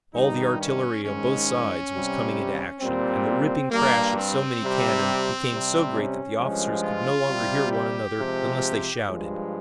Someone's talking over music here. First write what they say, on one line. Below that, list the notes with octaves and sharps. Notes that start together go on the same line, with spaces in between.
All the artillery on both sides was coming into action, and the ripping crash of so many cannon became so great that the officers could no longer hear one another unless they shouted.
G2 D#3 G3 D#4
C#4
G#2 D#3 G#3 C#4
C3 G3
A#2 G3 C4
G2 G3 A#3
C4
C3 G3
C3 G3
C#4
G2 F3 G#3
F4
C3 G3
G4
C3 F3 G#3
G2 F3 G#3